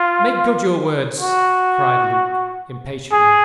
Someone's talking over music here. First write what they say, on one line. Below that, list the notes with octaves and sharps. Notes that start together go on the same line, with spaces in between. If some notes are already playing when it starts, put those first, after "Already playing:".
"Make good your words," cried Luke, impatiently.
Already playing: F4
F#4
G#4